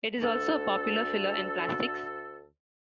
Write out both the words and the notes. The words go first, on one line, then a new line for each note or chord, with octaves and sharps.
It is also a popular filler in plastics.
D2 A4